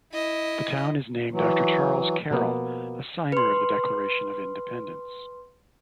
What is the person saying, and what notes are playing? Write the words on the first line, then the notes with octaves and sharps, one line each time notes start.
The town is named after Charles Carroll, a signer of the Declaration of Independence.
E4 D#5
E3 F#3
B2 F3 A#3 B3
B4 C6